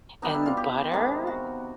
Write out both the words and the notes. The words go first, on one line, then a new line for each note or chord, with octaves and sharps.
and butter,
B2 G3 B3 D4 D#4
E4
F4
G4
C3 D#3 G#3 B3
F#4